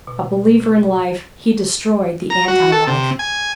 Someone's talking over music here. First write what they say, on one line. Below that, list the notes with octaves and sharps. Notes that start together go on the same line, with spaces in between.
A believer in life, he destroyed the anti-life.
B2
A#5
F#4
A4
C3
G#5